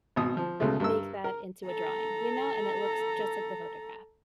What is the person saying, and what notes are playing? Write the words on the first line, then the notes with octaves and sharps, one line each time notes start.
make that into a drawing, you know? And it looks just like the photograph.
G#1 B2 D#6
F3
C#2 B2 G#3 A3
G2 A#4 E6
A#4
A4 A#5